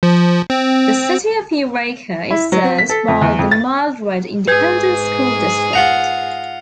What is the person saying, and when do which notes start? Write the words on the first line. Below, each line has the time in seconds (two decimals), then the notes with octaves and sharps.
The City of Eureka is served by the Mildred Independent School District.
0.03 F3
0.50 C4
2.31 E4
2.52 F#3
2.64 C4
2.78 B6
2.89 A4
3.08 F2
3.21 E2
3.39 F2
3.51 A6
4.48 G#2 G#4 B4 G6 G#6
5.73 F4 F#5 A#5